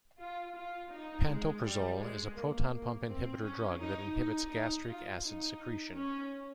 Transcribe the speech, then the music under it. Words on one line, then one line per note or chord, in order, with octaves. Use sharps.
Pantoprazole is a proton pump inhibitor drug that inhibits gastric acid secretion.
F4
F4
D#4
G#3
G3
G#3
A#3
A#3
C4
C#4
D#4
D#4
D#4
F4
D#4
C#4